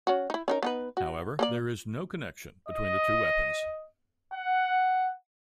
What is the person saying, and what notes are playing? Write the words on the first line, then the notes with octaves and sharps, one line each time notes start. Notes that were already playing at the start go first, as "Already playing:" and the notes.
However, there is no connection between the two weapons.
C#4 F#4
D#4 E4
C#4 D#4 A#4
B3 D#4 B4
F#4
A#3 A4 D5
D#5
F#5